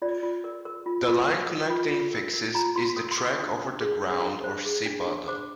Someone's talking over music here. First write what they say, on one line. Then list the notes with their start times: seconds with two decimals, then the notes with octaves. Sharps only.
The line connecting fixes is the track over the ground or sea bottom.
0.02 F4 D5
0.23 F4
0.44 A#4
0.65 A#4
0.86 F4
1.07 F4
1.29 A#4
1.49 A#4
1.70 F4
1.91 F4
2.13 A#4
2.34 A#4
2.54 F4 A#5
2.76 F4 C6
2.96 A#4 D#6
3.11 C6
3.17 A#4 D6
3.38 D4 D#6
3.59 C5
3.81 G#4
4.02 D4
4.22 D4
4.44 C5
4.65 G#4
4.86 D4
5.07 D4
5.28 C5 D6